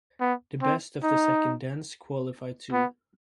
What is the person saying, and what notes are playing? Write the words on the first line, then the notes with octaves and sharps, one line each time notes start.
The best of the second dance qualify too.
B3
C4
D#4
B3